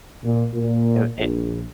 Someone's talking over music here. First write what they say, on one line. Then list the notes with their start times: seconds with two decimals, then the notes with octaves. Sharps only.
Er, it
0.24 A#2
0.53 A#2
1.18 A#1